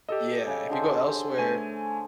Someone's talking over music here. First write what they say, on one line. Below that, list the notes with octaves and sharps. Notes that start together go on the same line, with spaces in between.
Yeah, if you go elsewhere
G4 A4 D#5 E5
C#3
D3 G#4 C5
A3 G#5 D#7